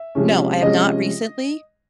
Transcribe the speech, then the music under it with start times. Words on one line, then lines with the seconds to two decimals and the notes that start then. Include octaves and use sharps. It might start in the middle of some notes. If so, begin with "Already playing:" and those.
No, I have not recently.
Already playing: E5
0.15 C3 F3 G#3 C#4
0.62 C3 F3 G#3 C#4 D#5